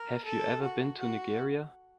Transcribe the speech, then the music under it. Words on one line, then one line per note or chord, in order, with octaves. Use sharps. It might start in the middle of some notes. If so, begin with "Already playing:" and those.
Have you ever been to Nigeria?
Already playing: A#4
A4
F#4
F#4